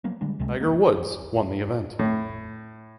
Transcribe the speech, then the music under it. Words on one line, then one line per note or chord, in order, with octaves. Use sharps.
Tiger Woods won the event.
F3 F#3 A#3 B3
D3 G3 G#3 D4
C#2 C3 G#3 A3
A#3
A2